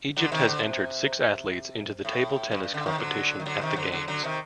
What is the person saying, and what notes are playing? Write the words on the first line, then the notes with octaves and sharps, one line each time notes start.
Egypt has entered six athletes into the table tennis competition at the Games.
D3 F#3
C3 D#3
D3
C3
A2
G2
G2
D3
C3 D#3
D3 F#3
D#3
D3 F#3
C3 D#3
D3 F#3
D3 F#3
D3 F#3
C3 D#3